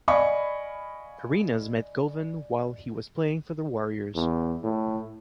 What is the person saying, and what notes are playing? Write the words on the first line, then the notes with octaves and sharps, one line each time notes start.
Arenas met Govan while he was playing for the Warriors.
D5 D#5 F5 G#5 B5 C#6
E2
A2